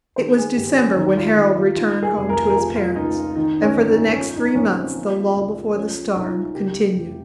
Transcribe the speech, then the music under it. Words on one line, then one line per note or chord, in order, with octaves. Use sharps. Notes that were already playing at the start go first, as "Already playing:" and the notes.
It was December when Harold returned home to his parents, and for the next three months the lull before the storm continued.
D#3 C5
G#4
G#1 G4
C4
C#4
D#2 D#4
F4
D#2 F4
F4
D#3 F4
G#4
F1
A#4
A#4
F3 G#4
F4
C#2 D#4
D#3 D#4
C#4
G1
D#4
F3 C#4
D#4
A#1 C#4
C4
F3
C#2
F3 C#4
C2 D#4
F4
D#4
C#3 G4
F1